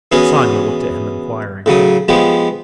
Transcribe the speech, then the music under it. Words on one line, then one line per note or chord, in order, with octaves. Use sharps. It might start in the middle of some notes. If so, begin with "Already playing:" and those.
Sonia looked at him inquiringly.
E3 B3 C#4 F#4 G#4
A2 C#3 F#3 D#6
F3 G#3 B3 G4